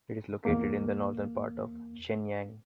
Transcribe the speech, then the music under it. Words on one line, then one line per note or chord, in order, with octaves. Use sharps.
It is located in the northern part of Shenyang.
E2 A#3